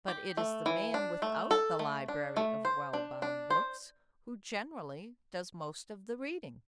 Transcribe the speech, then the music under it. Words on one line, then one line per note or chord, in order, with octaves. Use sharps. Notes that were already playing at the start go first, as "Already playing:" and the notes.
But it is the man without the library of well-bound books who generally does most of the reading.
G4
A3
E3
D4
A3
A4
A3
D4
A3
C5
D4
D4
C5